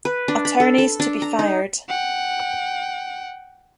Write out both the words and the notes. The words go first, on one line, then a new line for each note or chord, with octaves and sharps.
Attorneys to be fired.
B4
D4
B5
A4
A4
D4
A#5
D#4
F#5 G5